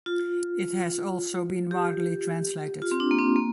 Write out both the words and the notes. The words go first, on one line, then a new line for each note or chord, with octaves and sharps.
It has also been widely translated.
F4
G4
F4
C4
D4
A#3
C4
A#3